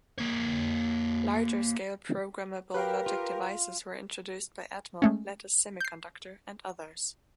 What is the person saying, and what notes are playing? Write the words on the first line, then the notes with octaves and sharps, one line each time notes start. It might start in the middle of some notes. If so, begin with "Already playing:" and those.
Larger-scale programmable logic devices were introduced by Atmel, Lattice Semiconductor, and others.
A#3 C#5
G4 A#4 B4 F5 G5
F4
G#3 A3 C#4
G6 C7